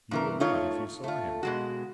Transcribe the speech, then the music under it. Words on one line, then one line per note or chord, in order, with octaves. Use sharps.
You would not if you saw him.
G2 E3 A#4
A3 D#4 F4 C#5
A3 F4
B2 G#3 F#4